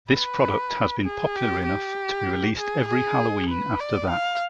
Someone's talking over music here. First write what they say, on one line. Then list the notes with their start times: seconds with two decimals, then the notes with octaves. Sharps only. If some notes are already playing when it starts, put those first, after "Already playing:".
This product has been popular enough be released every Halloween after that.
0.13 B4
1.05 G#4
1.36 G4
1.66 G4
2.58 G#4
2.88 G#4
3.50 B4
3.80 D5
4.10 F5